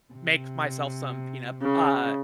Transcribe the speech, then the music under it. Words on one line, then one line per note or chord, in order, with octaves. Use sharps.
make myself some peanut, uh
C3
C#3